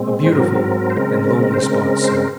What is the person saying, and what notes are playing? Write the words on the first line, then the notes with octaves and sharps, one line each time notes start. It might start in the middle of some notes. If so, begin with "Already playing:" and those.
A beautiful and lonely spot, sir.
Already playing: A#2 G#3 C4
C5
G#2 F#3 C4 A#4
C5
C#3 G#3 C4 A#4
C5
C#3 G#3 C4 A#4
C5
A#4